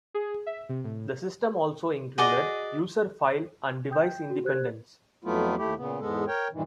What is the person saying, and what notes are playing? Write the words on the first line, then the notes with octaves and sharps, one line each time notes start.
The system also included User file and Device independence.
G#4
E5
C3
A2
F#4 G#4 D5 D#5
G5 D#6 G6
F#4
G4 C5 F#6 G#6
F2 F#3 A3 B3 E4 F4
D#2 A3 E4 G4
A#2 C#3 B3
E2 G#2 G#3 B3 A4
A#4 C#5 G5
G2 A#2 D#3 E3